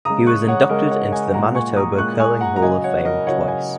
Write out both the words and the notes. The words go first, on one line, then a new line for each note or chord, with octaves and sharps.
He was inducted into the Manitoba Curling Hall of Fame twice.
C#3 G#3 A#5 D#6
C#6 F#6
C#5 F#5
C#3 G#3 A#4 D#5
C#5 F#5
D#5 G#5
A#2 G#3 F#5 A#5
G#5 C#6
A#5 D#6
A#2 G#3 C#6 F#6
G#5 C#6
F#5 A#5
A#5
C#3 F#3 D#5 G#5
C#5 F#5
A#4 D#5
C#3 F#3 C#5 F#5
D#5 G#5